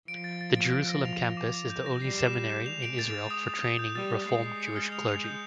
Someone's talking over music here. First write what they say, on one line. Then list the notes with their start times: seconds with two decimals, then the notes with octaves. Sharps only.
The Jerusalem campus is the only seminary in Israel for training Reform Jewish clergy.
0.08 F3 D7
0.24 A6
0.41 A6
0.57 D7
0.73 D7
0.89 A#6
1.05 F7
1.21 A#6
1.37 D6
1.54 D6
1.70 G6
1.86 A#6
2.02 G3 C7
2.18 E7
2.34 E7
2.50 G6
2.66 G#3 F7
2.82 D7
2.99 A6
3.14 A6
3.31 D#6
3.47 D#6
3.63 D#6
3.79 G6
3.95 G3 A6
4.11 A6
4.27 G#3 C7
4.44 C7
4.60 C#7
4.76 F6
4.92 F7
5.08 F7
5.24 G6